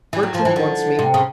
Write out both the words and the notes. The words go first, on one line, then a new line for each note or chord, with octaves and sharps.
Bertram wants me.
E3
F#3
F3
E3
D3
C3
C#3